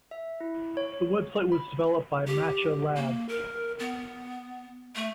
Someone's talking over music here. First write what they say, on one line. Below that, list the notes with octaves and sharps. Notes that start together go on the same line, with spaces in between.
The website was developed by Matcha Labs.
E5
E4
C#5
B5
G4
A#3
A#4
B3
A3